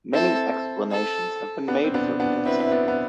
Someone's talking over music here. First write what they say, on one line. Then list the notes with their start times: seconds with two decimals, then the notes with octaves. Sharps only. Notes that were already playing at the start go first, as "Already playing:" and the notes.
Many explanations have been made for the incident.
0.13 C4 E4 A4
0.91 A4
1.68 B3 D4
1.84 C4
1.94 B3 D4
2.20 B3 D4
2.45 C4 E4 B4
2.60 E4
2.72 B3 D4
2.88 B3